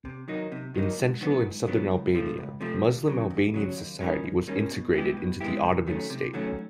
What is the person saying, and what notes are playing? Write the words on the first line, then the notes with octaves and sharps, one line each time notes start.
In central and southern Albania, Muslim Albanian society was integrated into the Ottoman state.
C3
D#3 F#3 A#3 D#4
C3
D#3 F#3 A#3 D#4
G#2
D#3 F#3 B3 D4
G#2
D#3 F#3 B3 D4
C#2
C3 F3 A3
C#2
C3 F3 A3
D#2
C#3 F#3
D#2
C#3 F#3
D#2
D#3 G3 A#3 C#4
D#2
D#3 G3 A#3 C#4
B2
G#3 B3 E4 G4
B2
G#3 B3 E4 G4
C3
D#3 F#3 A3 C#4
C3
D#3 F#3 A3 C#4